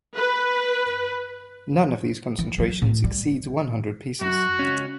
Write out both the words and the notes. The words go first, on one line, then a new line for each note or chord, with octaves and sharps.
None of these concentrations exceeds one hundred pieces.
B4
E3
F#3
A2
G3
F#2 F#4
C#2 C#4